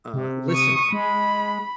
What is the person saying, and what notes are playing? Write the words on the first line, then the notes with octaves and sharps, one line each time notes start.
uh, listener?"
C3
C#6 D#6
G#3 B5